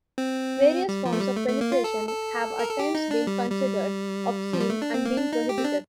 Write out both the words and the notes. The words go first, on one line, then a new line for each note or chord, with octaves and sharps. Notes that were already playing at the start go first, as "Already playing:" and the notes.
Various forms of penetration have at times been considered obscene and been prohibited.
C4
G3
F3
A3
G3
A3
A3
A#3
F4
A4
A4
A#4
A4
G4
D#4
D4
G3
G3
F3
G3
A3
D4
C4
A#3
D4
D#4
G4
C4
D4